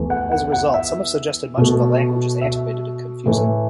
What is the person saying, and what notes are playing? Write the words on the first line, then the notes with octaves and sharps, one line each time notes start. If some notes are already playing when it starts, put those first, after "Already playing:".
As a result, some have suggested much of the language is antiquated and confusing.
Already playing: E2 E3 A3
F#5
F#5
F#5
E5
B2 A3
E5
A2 E3 A3